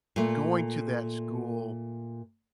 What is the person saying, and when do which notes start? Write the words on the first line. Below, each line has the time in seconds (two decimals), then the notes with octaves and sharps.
going to that school,
0.16 A#2 A3